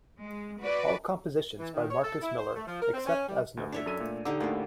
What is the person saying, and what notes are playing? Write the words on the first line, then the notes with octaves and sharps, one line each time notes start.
All compositions by Marcus Miller, except as noted.
G#3
F#4 B4 D5
E3
D#3
C#5
A4
E4
C5
A3
F3
A#4
C4
C#4
G3
D2
D4 C#5 E5
F#2 A4 D#7
A#2 A3
D3 D#4 G4 D6 E6
D2 A2 A#3 D4